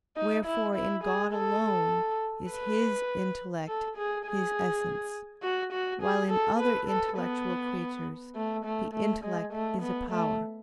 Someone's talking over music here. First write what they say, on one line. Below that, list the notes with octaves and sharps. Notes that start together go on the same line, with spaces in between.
Wherefore in God alone is His intellect His essence: while in other intellectual creatures, the intellect is a power.
D#4
E4
E4
G#4
A4
B4
A4
G#4
G#4
F#4
F#4
G#4
A4
B4
A4
B3
A3
A3
A3
G#3
A3
B3
A3